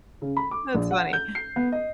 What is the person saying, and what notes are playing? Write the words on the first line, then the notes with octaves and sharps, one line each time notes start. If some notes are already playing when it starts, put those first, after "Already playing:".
That's funny.
C#3
B5
D6
A#1
F#5
G6
C7
B3
D#5